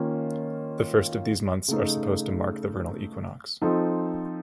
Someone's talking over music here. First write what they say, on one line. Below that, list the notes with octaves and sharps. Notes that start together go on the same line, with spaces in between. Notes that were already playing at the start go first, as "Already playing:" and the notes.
The first of these months are supposed to mark the vernal equinox.
Already playing: D#3 A#3 C#4 F4
C#3 A3 D#4
F3 C4 D#4 A4